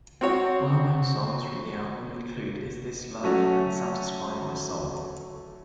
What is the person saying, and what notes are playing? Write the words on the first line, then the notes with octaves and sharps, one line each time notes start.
Well-known songs from the album include "Is This Love" and "Satisfy My Soul".
C4 F#4 C#5
F#3 A3 C#4 F#4